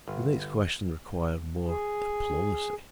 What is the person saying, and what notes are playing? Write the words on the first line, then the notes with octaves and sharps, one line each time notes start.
The next question required more diplomacy.
G1
G#4